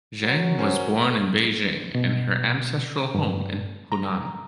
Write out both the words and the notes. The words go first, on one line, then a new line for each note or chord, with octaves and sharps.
Zhang was born in Beijing and her ancestral home in Hunan.
F#3
C#4 A#4 C5
B2
G2
A#5